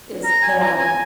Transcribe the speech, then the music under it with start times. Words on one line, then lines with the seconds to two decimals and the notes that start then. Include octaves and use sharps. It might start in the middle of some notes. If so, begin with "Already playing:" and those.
is Hawaii,
0.24 A#5
0.42 G#5
0.61 A#5
0.79 G#5